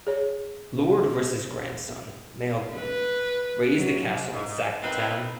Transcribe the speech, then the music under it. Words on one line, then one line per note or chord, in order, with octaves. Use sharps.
Lord Rhys' grandson Maelgwn razed the castle and sacked the town.
G#4 C#5
B4
C3 F#3
G#2
C4 D#4 A#4 B4